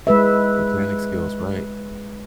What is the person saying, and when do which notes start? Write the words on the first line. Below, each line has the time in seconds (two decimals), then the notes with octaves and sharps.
Mechanic skills, right?
0.07 G#3 B4 E5